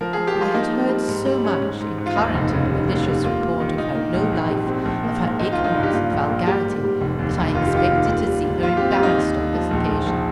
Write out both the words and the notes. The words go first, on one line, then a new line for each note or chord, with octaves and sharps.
I had heard so much, in current and malicious report, of her low life, of her ignorance and vulgarity, that I expected to see her embarrassed on this occasion.
F3 A#4
F3 G#4
G4
F3 F4
A#3 D#4
G3
G3
G#2
G3
C#4
G#2
G#2
G#2
F4
D#2 D#4
F1
C#3
G3
D#2
G3
A#3 F4
A#3
D#3
A#2 D#4
A#3
A#1
G#1
G3
C4
A#1
A#3
G#2
G#1 D#4
F4
G#1
D#4
G2
G4
A#3 F4
A#1
A#3
G3 G4
G#2
G3
F1
D#2
F1
D#3 F4
G4
D#3 F4
D#2
G3
G3
G#2
D#2 F4
C4 G4
F4
G3 D#4
D#2
D#2
F3
A#1
A#1
A#1